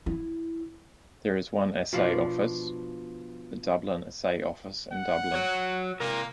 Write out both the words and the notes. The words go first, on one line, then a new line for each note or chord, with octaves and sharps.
There is one assay office, the Dublin Assay Office in Dublin.
E4
B2 F3 D4
F#5
F#4 C#5
C3 A#3 A#4